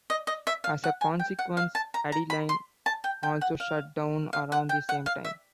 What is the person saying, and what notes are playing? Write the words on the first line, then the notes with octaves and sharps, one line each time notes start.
As a consequence, Adeline also shut down around the same time.
D#5
D#5
E5
F5
F#5
G#5
G5
F#5
F5
A5
A#5
A#5
B5
C6
A5
G5
G5
F#5
F5
F5
F#5
G5
F#5
F5
E5